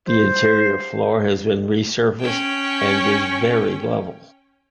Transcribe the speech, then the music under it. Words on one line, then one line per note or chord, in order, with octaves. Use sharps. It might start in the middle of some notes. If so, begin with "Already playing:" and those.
The interior floor has been resurfaced and is very level.
C5
C#4 G5